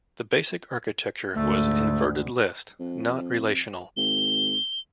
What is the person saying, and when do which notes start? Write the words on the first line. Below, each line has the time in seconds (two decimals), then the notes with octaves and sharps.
The basic architecture was "inverted list", not relational.
1.34 D2 G#2 A3
2.79 F2
3.97 G#1 G7